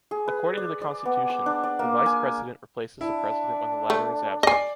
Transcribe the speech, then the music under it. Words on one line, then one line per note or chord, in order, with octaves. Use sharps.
According to the Constitution, the Vice-President replaces the President when the latter is absent.
G#4
B4
D5
D5
B3
D6
D4
D5
A#3
G#5
D4 E4
A3
D5 D#5 G#5 C7